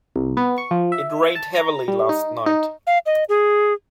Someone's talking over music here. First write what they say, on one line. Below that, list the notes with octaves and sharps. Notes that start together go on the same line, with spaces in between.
It rained heavily last night.
C2
B3
C#6
F3
E5
A5
A#5
G3
D#4
D#4
F5
D#5
G#4